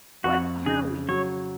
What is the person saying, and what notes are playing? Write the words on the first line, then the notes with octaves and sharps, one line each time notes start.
What Are We?
F2 F#4
C#3 G#4
F#3 C#5